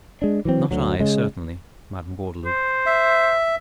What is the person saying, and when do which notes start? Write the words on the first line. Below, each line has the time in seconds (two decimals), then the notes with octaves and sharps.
"Not I, certainly, Madam Gordeloup."
0.22 G#3 D4
0.45 E3 F#3 C4
0.71 D2 F#3
1.00 C#3 G#3
2.46 C5
2.86 E5